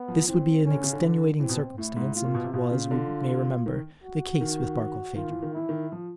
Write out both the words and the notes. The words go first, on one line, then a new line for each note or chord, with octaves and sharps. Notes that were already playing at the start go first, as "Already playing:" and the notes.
This would be an extenuating circumstance, and was, we may remember, the case with Barkilphedro.
Already playing: B3
F3
E3 C4
D#3 C#4
D3
C#3
D3
E3 C4
B2
A2 E4
G#2
A2 F4
A#2
B2
C3
B2 F4
C#3
D3
D#3
F#4
D#3
D#3 F4
E3
D#3
E3 E4
D#3
F3